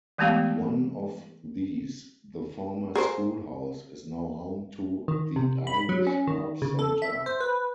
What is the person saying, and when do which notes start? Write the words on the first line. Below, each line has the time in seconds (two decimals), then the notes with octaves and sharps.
One of these, the former schoolhouse, is now home to the Irish Harp Centre.
0.18 E3 G#3 A3 B3 G4 F5
2.95 G#4 A#4 C5
5.08 D#3
5.36 C3
5.67 B5
5.89 F#3
6.07 C#4
6.27 D#3
6.62 C#3
6.79 A4
7.02 E5
7.26 C5
7.40 B4